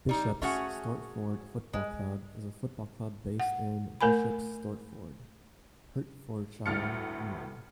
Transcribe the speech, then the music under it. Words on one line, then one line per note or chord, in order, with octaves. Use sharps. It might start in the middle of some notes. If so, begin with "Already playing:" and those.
Bishop's Stortford Football Club is a football club based in Bishop's Stortford, Hertfordshire, England.
G3 D#4
A3 C#4 F#4 G#4 F#5
G#3
F#5
A3 A#4 G#5 B5
G1 D2 A2 F6 A6 C#7